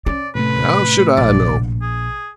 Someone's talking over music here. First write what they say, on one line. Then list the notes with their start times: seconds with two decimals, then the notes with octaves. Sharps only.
'How should I know?
0.06 C#4 D5
0.35 A2 C3 A3 B4
1.17 A#1 D5
1.82 G#4